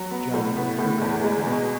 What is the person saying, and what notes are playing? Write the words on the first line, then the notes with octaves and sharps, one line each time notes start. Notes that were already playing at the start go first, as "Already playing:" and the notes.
Johnny and Herbert are coming.
Already playing: F#3
B3
A2
B3
A2
E2
G#3
B2